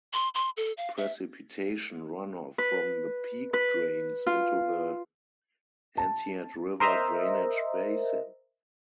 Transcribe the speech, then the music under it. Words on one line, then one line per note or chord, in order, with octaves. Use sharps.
Precipitation runoff from the peak drains into the Entiat River drainage basin.
C6
C6
A4
F5
E5
B4
B4
F4
A5
A#4 C5 D#5 E5 A#5